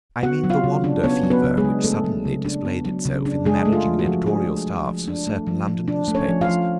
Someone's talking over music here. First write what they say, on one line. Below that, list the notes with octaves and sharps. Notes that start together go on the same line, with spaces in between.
I mean the wander fever which suddenly displayed itself in the managing and editorial staffs of certain London newspapers.
B3 F#4 F#5
F#3
F4 F5
C#3
D4
B3 C#4 C#5
F#3
B3 B4
C#3
G#3 G#4
D4
A3 B3 A4
F#3
C#3
D4
B3
F#3
C#3
D4
G#3 D4 G#4
A3
F4
F3
F#4
F3
G#3 D4 G#4
A3
F3
F3
D4
A3
F3
F3
D4
A3
C#4 C#5
F3
F4 F5
F3